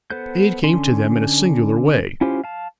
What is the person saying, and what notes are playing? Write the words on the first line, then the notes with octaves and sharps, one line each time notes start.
Aid came to them in a singular way.
B3 A4 C5 F#6 G6
D3 C#4 C6
C#4 E4 F4 G4 C5
F5 A5